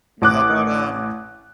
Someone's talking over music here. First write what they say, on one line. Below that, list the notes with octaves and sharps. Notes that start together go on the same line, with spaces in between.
Well, how about, um
A1 D6 F#6